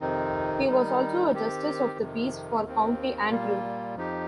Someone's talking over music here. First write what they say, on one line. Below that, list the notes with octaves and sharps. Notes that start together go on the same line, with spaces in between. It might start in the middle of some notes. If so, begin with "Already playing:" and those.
He was also a Justice of the Peace for County Antrim.
F2 C3 D#3 C4 D#4
D#3 G3 D#4
D#3 C4 G4
F2 C3 D#3
D#2 D#3 C4
A#2 G3 A#3 F4
F2 F3 D#4 G4